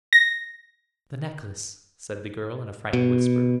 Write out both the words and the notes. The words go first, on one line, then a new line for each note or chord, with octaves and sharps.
"The necklace," said the girl, in a frightened whisper.
A#6
B2